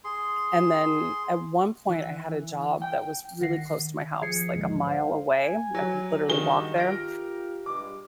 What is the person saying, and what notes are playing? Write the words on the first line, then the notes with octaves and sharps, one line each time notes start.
and then, at one point, I had a job that was really close to my house, like, a mile away- I could literally walk there-
G#4 C6
E3
G5
A1 D#3 F#5 A#6 C7
D#3
A#1 F3 G#4 G#6 C7 C#7
D#2 G#2 D3 E3 F3 G#3
C5 F5
G#5
F#3
G2 D#3 F#4 G#4 G7
F4 G4 A#4 F6 A#6 D7
G2 G3 G#3 D6